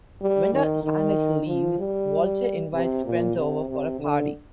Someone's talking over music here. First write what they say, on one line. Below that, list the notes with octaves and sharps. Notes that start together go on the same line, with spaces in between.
When the scientist leaves, Walter invites friends over for a party.
G3
D#3
D#3
F3
G3
C3
A#2
C3
C3
D3